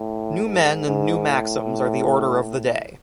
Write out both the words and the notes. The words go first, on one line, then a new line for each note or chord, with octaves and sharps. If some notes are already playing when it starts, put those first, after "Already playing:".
New men and new maxims are the order of the day.
Already playing: A2
G#2
G#2
A2